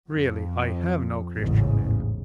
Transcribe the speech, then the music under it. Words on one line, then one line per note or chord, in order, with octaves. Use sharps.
Really, I have no Christian name.
F2
A1 E2 G#2 C#3